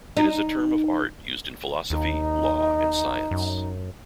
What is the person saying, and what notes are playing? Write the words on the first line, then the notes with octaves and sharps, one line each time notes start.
It is a term of art used in philosophy, law, and science.
D#4
D#2 D#4
F#2